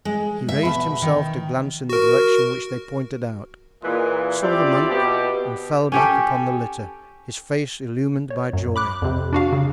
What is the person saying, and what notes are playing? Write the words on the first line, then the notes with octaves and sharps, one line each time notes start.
He raised himself to glance in the direction which they pointed out, saw the monk, and fell back upon the litter, his face illumined by joy.
G#3
E5
B2
D#3
F#4 A#4
A#2 E3 G#3
G3 C4 E4 F4 D5
B2 G4
C#4 G4 A4
C#5
F#2
B5 D6 F#6
F2 C3
D4 F#4 F5
C#3